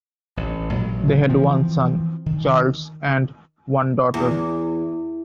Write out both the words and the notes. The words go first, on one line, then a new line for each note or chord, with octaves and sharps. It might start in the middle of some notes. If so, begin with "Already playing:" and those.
They had one son, Charles, and one daughter.
A1
A1 A#2 F#3 G#3
E3 F3 C4
D#3
E2